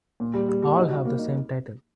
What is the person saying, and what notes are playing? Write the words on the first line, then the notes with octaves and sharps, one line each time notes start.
All have the same title.
A#2
G3
G3
G3
D#4
F#4
A#3
D#4